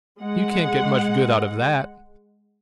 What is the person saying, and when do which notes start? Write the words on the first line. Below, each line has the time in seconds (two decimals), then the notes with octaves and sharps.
"You can't get much good out of that."
0.19 G#3 F#5